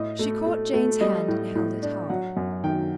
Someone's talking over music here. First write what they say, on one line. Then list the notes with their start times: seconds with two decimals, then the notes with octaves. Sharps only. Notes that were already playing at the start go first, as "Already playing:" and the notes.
She caught Jane's hand and held it hard.
Already playing: A2 D#5
0.19 A3
0.46 A3
0.74 A3
1.01 G3 D#5
1.28 A2
1.55 A2
1.83 D4
2.09 F#3 F#5
2.37 F#2
2.64 D#3 G5